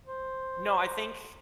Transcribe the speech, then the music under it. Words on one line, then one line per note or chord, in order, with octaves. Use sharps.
no, I think
C5